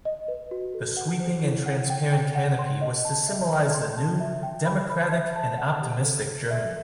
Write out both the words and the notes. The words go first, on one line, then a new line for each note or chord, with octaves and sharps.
The sweeping and transparent canopy was to symbolize the new, democratic and optimistic Germany.
D#5
B4
F#4
A4
F#5
C5
E4
F#5
G5
G5
F#5
C6
D#5
A5
E5
E5
C6
A5
E5
G5
B5
B5
E5
A5
F#5
G4
A4
A4
E5